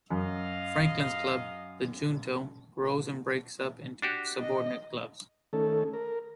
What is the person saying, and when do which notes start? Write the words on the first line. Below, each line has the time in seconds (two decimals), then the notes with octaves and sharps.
Franklin's club, the Junto, grows and breaks up into subordinate clubs.
0.11 F#2 D#5 F5
4.02 D4 F#4 G4
4.41 D#5
5.53 D#3 A3 C#4 A4
5.93 A#4